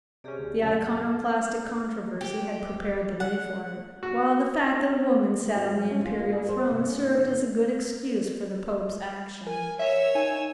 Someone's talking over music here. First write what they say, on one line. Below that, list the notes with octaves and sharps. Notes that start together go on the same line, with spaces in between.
The Iconoclastic controversy had prepared the way for it, while the fact that a woman sat on the imperial throne served as a good excuse for the Pope's action.
C3 C#4 G4 G#4 D5
D2
F#2 A#2 C#3 F#5
A4
G4
F#5
F#4
F#4
F#3
C#4
F4
A#3
G#4
C5
C3
C#4
D#4
D3
A#4 G#5
C#5 E5 E6
D#4 G#5